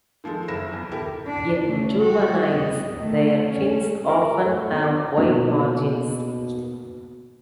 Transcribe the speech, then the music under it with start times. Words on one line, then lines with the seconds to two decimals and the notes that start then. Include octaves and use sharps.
In juveniles, their fins often have white margins.
0.24 D#3 F3 G#3 A4
0.48 F#1 E4 A#6 E7
0.73 E2
0.92 E4 G4 A4 A#4
1.27 D4
1.65 C#3 A3
2.01 G3 F#4
2.42 B3 D#5
2.97 D#3 A3
3.49 C#4
4.09 A#4
4.43 A3
4.72 B3
4.84 D6
5.17 B2 A#3 B3 D#4